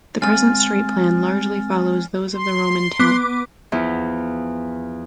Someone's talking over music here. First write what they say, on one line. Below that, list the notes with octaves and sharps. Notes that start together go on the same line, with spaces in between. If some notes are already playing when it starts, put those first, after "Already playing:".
The present street plan largely follows those of the Roman town.
G#3 C4 F5 G#5 F6 A6
C6
B3 D6
E2 F3 E4